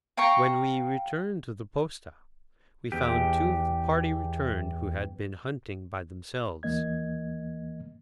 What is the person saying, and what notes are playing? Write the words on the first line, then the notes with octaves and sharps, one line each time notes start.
When we returned to the posta, we found two of the party returned who had been hunting by themselves.
F5 G5 A#5 C#6
E2 G4
D#2 E3 A#3 D#5 G#6